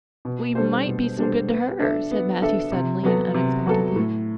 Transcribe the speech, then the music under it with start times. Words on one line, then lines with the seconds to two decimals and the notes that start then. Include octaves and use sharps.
"We might be some good to her," said Matthew suddenly and unexpectedly.
0.25 B2
0.55 G3 D4 A4 C5
0.86 B2
1.18 G3 D4 A4 C5
1.48 B3
1.79 D4 A4 E5
2.11 B3
2.42 D4 A4 E5
2.72 C3
3.03 F#3 B3 F#4 A4
3.34 C3
3.66 F#3 B3 F#4 A4
3.96 A2